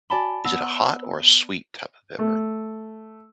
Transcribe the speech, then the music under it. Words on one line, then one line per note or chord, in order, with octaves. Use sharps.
Is it a hot or a sweet type of pepper?
F#4 D5 G#5 A5 B5 G7
B3 F#5 E6
A3